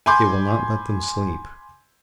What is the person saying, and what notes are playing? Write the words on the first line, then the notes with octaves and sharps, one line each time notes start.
It will not let them sleep.
G#5 B5 C6 D6 G6